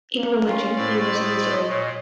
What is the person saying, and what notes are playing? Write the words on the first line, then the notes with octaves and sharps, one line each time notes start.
In religion, he was a Lutheran.
A#3
C#4 F4
A2 C5 D5
D#5
A#2 C#5